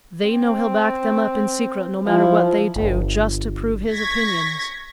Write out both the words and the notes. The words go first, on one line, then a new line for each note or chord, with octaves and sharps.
They know he'll back them up in secret, no matter what they do, just to prove his opinions.
C4
F3 E4
G1
C#6 G#6 A#6 B6